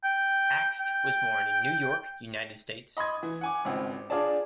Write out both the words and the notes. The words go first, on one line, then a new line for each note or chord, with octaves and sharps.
Akst was born in New York, United States.
G5
G5
D#5 B5 C6 D#6 G#6
E3
F#5 G#5 D6
G#1 C#2 C4
D4 F4 G#4 D5 A5